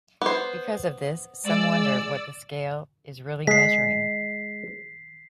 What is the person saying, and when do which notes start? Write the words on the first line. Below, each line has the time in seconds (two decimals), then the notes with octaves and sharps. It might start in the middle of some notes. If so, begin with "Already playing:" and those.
Because of this, some wonder what the scale is really measuring.
0.22 B3 C5
1.45 G#3 D5 E6
3.47 G#3 B6 C7